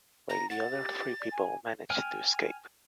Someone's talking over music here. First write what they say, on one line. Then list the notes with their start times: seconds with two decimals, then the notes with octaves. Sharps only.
While the other three people managed to escape.
0.29 A#5 A#6
0.50 F#5 A6
0.71 G4
1.20 D5
1.31 G#5
1.90 G5 G#5 F6